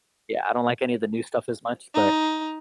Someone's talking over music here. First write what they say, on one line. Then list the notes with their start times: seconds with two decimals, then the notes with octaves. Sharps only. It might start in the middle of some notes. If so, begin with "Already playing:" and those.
Yeah, I don't like any of the new stuff as much, but,
1.94 D#4